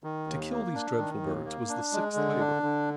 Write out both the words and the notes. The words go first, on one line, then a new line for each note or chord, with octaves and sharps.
To kill these dreadful birds was the sixth labor.
D#3
D#2
A#3
D4
D#3
D#2
A#3
D4
G#3
D3
D4
D3